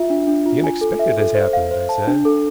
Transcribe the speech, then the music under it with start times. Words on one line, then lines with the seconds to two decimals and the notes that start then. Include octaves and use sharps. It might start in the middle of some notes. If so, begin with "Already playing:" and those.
"The unexpected has happened," I said.
Already playing: F4 E5
0.10 D4
0.27 D4
0.46 F4
0.64 G#5
0.81 A4
0.99 E5
1.18 A4
1.35 C5
1.53 F5
1.71 C5
1.89 A5
2.07 D4
2.25 A4